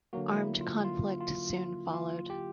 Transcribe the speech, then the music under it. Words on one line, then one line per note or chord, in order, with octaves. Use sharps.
Armed conflict soon followed.
D3 F#3 A#3 F#4
E4
F4
F4
F4
F4
F4
G4